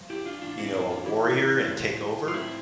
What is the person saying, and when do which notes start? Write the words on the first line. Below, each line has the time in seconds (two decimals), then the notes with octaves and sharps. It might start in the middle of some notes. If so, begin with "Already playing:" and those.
you know, a warrior and take over,
Already playing: G2 F3
0.10 E4 G4
0.25 D4 F4
0.41 A2 E3 D4 F4
0.58 C4 E4
0.74 C4 E4
0.90 D4 F4
1.06 A2 E3 E4 G4
1.70 A2 F3
2.28 F4
2.34 A2 F3 C4 E4